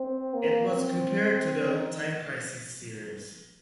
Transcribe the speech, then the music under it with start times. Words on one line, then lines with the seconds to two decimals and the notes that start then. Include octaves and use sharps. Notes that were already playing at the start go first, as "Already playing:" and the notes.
It was compared to the "Time Crisis" series.
Already playing: C4
0.34 A#3
0.69 C4
1.73 D#4